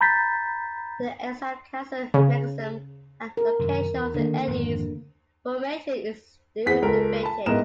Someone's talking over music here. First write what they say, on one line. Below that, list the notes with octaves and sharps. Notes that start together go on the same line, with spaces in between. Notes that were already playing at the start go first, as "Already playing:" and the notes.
The exact causal mechanism, and location of the eddies formation is still debated.
A#5 B5 G6 A6 B6
C#3
A#4
F#2 C3 D#3
E2
D3 D#3 A#3
G#1 F2 G#2
E2 B3 G#4 F#5 B6
C#2 A4 A#4
A5 B5
A1 G#2 B3 A#4 D#5 E7